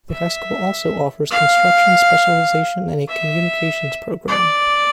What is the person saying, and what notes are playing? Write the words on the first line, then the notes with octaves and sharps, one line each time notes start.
The high school also offers a construction specialization and a communications programme.
E5
F5
E5
D5